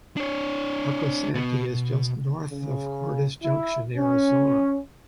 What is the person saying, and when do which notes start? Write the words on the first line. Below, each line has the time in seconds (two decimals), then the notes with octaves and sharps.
Arcosanti is just north of Cordes Junction, Arizona.
0.17 D4 C#5
1.34 B2 B3
2.51 C#3
3.43 E4
3.98 C#4